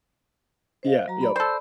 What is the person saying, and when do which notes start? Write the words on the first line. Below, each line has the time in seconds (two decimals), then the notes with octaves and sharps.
Yeah, yep.
0.83 C5 D#5 F5
1.08 F#3 F#4 A#5
1.21 D5 B5
1.36 A4 C5